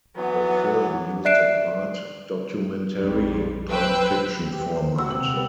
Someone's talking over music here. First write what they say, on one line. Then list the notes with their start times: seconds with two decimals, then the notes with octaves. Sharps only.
The film used a part-documentary, part-fiction format.
0.16 E3 F#3 B3
1.25 D5 E5 F#6 C7 D7 E7
3.00 A#1 F2 G3
3.68 B4 C5 G5 E6 F#6
4.52 G4
4.76 C5
4.99 F#4 F#5 E6
5.10 C3 F#7
5.34 G3 B3